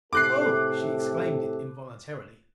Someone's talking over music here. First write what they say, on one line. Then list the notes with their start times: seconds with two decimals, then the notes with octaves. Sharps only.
"Oh!" She exclaimed it involuntarily.
0.13 A2 C3 A4 D6 F#6 C7